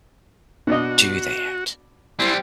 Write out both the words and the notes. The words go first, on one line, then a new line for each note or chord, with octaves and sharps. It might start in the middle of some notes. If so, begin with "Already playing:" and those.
do that
B2 D4 F#4 D#5
G3 C4 E4 G#5 C6